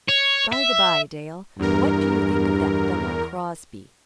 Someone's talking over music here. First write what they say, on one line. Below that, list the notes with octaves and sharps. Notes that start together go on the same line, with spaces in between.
"By-the-by, Dale, what do you think of that fellow Crosbie?"
C#5
E5
E2 G2 A#4